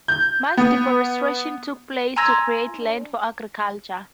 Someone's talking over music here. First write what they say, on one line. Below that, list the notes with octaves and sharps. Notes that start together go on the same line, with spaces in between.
Mass deforestation took place, to create land for agriculture.
G6
B3
G#5 A#5 C6 E6 G#6 A#6